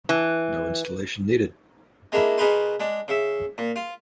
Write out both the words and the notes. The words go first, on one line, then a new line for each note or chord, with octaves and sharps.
No installation needed.
E3
G#3 A#3 D4 E4
B2 G#4 A#4 B4 C6
G#3 D4
C#3 E5
A#2
F4